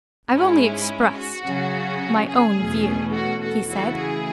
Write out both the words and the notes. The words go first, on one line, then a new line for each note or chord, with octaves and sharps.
"I've only expressed my own view," he said.
G#2 G#3 C#4 E4
F#4
C#3 F#3 C#4
G#4
E2 B2 A3 C#4
F#4 A4
F#4 A4
C#3 E3 A3 E4 F#4 A4
G#4